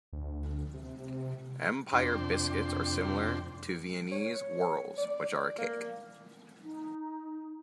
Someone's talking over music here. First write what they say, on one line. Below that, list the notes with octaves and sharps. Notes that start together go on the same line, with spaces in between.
Empire biscuits are similar to Viennese Whirls which are a cake.
D2
C3
F2 C3 D4 G5 C6
C#5
D5
A#3
D#4